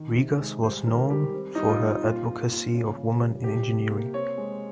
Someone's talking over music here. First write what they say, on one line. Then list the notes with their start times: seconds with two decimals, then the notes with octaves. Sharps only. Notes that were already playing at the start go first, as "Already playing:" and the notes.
Rigas was known for her advocacy of women in engineering.
Already playing: D#3
0.17 C3
0.40 G#3
0.63 G3 C5
0.87 D#3 A#4
1.10 G3 G4
1.33 C4
1.55 G3 D#4
1.69 F4
1.80 C4
2.03 A#2 F4
2.27 A#2
2.50 A#2
2.74 C#3
2.97 C#3
3.20 G3
3.44 C3 G4
3.67 C3
3.90 A#3
4.14 C4 C#5
4.37 G#3